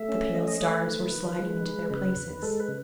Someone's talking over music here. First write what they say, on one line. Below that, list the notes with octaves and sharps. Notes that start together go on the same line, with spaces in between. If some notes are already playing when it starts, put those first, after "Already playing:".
The pale stars were sliding into their places.
Already playing: A3 E5
C#4
A3 D#5
D#5
A3 C#5
B4
D#3
D#3
G#3
G#3
C#3 B4
E2
G#3 A4
B4
C#3